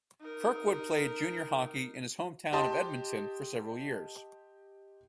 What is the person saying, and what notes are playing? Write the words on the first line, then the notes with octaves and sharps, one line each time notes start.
Kirkwood played junior hockey in his hometown of Edmonton for several years.
D#4 A#4
G4 D#5 A5 C6